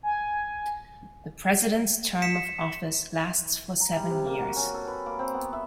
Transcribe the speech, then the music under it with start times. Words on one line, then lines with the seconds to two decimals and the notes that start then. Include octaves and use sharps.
The president's term of office lasts for seven years.
0.03 G#5
2.22 B6 C#7 E7
3.80 A#5
3.96 G3
4.10 C3
4.26 A#3
4.41 F#4
4.56 C#4
4.74 A4
4.87 B4
5.06 A#3
5.19 C4
5.33 B3
5.53 E5